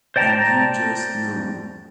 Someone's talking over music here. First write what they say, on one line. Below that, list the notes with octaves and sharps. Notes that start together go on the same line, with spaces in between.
And you just know.
C5 D5 G5 A5 A#5